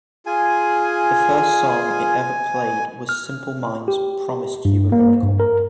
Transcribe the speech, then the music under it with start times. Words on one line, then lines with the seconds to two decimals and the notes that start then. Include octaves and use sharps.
The first song it ever played was Simple Minds' "Promised You a Miracle".
0.26 F4 G#4 G#5
3.09 F6
3.88 G4
4.65 G2
4.92 A#3
5.23 G2
5.40 A#4